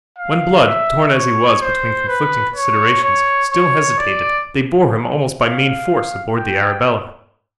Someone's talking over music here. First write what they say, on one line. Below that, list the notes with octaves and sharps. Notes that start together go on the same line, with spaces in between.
When Blood, torn as he was between conflicting considerations, still hesitated, they bore him almost by main force aboard the Arabella.
F5
E5
C#5
C5
B4
C#5
C#5
C#5
D5
F5
G5